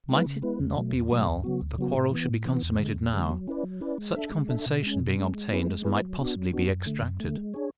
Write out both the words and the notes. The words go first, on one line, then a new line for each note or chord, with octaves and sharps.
Might it not be well that the quarrel should be consummated now--such compensation being obtained as might possibly be extracted.
G#3 B3 E4 B4
C#3
G#3 B3 E4 B4
E2
B2 F#3 A3
E2
B2 F#3 A3
D2
C#3 F#3 B3 F#4
D2
C#3 F#3 B3 F#4
A2
E3 B3
A2
E3 B3
E2
D3 G#3
E2
D3 G#3
F#3
C#4 E4 B4 D5
F#3
C#4 E4 B4 D5
G#3
D4 A4 E5
G#3
D4 A4 E5
B2
G#3 C#4
B2
G#3 C#4
G#3
B3 E4 G#4 B4
G#3
B3 E4 G#4 B4
F#3
B3 D4 F#4
F#3
B3 D4 F#4
F#2
D3 A3
F#2
D3 A3
G#3
D4 G#4 C#5